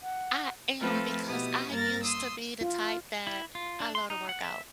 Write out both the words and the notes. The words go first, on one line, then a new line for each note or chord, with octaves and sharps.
I am because I used to be the type that I love to work out
F#5
F3 A3 C4 F4 A4 B4
B2 B3 E4 G4 D#6
G2 A#3 A#4 A6 A#6
C6 D#6 E6
F4
E4
F4
D4
C6
D#4
F#5
E5